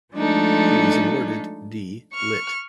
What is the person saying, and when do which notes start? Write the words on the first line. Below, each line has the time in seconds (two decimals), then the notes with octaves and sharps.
He was awarded D. Litt.
0.15 F3 G#3 A3 D4 D#4 A4
2.13 C#6 F6